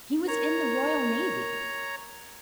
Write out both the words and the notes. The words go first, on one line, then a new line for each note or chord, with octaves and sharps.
"He was in the Royal Navy!"
A#4 C#5 A#5